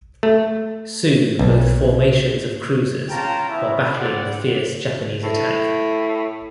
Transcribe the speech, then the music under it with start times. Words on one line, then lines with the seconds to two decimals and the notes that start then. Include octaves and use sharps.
Soon both formations of cruisers were battling the fierce Japanese attack.
0.23 A3
1.39 B1
3.10 C#4 F4 G5 A5 A#5
3.49 B3 C#4 E4
3.97 G3 C4 D5 F#5
5.23 A2